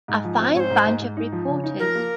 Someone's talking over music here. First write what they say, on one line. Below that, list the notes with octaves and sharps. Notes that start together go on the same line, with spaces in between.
A fine bunch of reporters.
G#2
F3
C4
G#2 C#5
C5
G#2
G#2
G#2
D#4
F3
C#3
D#4
F3 A#4
A#3